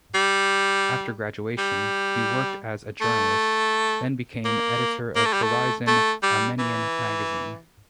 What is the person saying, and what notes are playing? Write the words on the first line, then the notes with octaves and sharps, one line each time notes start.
After graduation, he worked as a journalist, then became editor of Horizon Armenian magazine.
G3
G3
A3
A#3
A#3
A3
G3
A3
A3
G3
E3